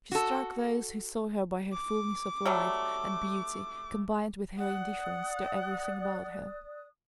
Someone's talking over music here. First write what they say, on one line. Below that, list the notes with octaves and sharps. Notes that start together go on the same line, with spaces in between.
She struck those who saw her by her fullness of life and beauty, combined with her indifference to everything about her.
F#4 A4
D6
F#3 G3 A3
D5 F#5 D#6 F#6